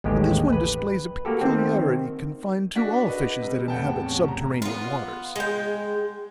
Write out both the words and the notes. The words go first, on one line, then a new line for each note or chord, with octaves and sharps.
But this one displays a peculiarity confined to all fishes that inhabit subterranean waters.
A1 D#2 G#3 G4
B4
A#3 F#4 G4 A4
D#3 C4
D4 F#4 B6
B4 D#5
C3 G3
E2 A2 C3 F#5 G5 A5
C#4
A#5
B3 F4
G#3 G5